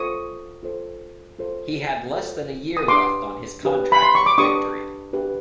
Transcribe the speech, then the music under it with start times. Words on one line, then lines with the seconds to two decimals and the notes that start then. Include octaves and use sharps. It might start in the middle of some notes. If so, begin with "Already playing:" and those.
He had less than a year left on his contract with Victory.
Already playing: F4 A4 C5 C#6 D#6
0.63 F4 A4 C5
1.39 F4 A4 C5
2.13 F4 A4 C5
2.77 D#6
2.88 D4 G4 B4 C6 D6
3.63 D4 G4 B4
3.92 B5
4.03 C6
4.15 C#6
4.26 D6
4.38 D4 G4 B4 C#6 D#6
5.13 D4 G4 B4